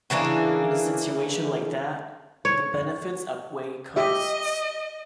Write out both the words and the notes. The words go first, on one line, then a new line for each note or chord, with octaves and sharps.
In a situation like that, the benefits outweigh costs.
C#3 E3 A#3 D4
C#5
G4 D#5 E5